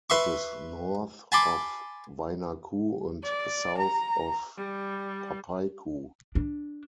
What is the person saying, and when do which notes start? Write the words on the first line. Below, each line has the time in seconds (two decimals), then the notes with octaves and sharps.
It is north of Wainaku and south of Papaikou.
0.10 B4 E5 C6 C#6
1.32 G#5 A5 B5 C6 D6
3.23 D5
3.78 A#5
4.57 G3
6.35 D4